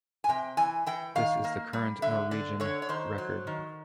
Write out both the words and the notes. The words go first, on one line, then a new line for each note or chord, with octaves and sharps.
This is the current Norwegian record.
G#5
C3 G5
E3 G#5
E3 G5
D#3 F5
A#3
G3
D3 E5
D3 D5
D3 C#5
C#5
D#3 C5
F#3
D#3